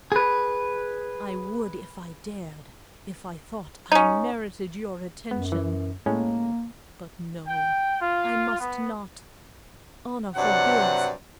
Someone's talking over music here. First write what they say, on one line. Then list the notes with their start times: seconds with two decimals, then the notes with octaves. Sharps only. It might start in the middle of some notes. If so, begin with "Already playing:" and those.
I would if I dared, if I thought I merited your attention--but no, I must not--honour forbids.
0.12 G#4 B4
3.92 C#4 D#4
5.31 F#2 B3
5.52 E3
6.06 A2 G#3 A#3 C#4
7.47 G5
8.00 F4
8.59 B3
10.36 G2 C3 F#3 D5 F#5